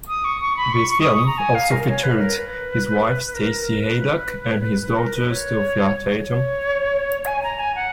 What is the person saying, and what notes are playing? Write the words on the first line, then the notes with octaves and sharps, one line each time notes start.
This film also featured his wife, Stacy Haiduk, and his daughter, Sophia Tatum.
D#6
C#6
C#6
B5
C#6
C#6
D#6
C#6
A#5
G#5
F5
A#4
C#5
B4
A#4
B4
A#4
B4
B4
A#4
B4
C#5
C#5
G#5
A#5
G#5
F#5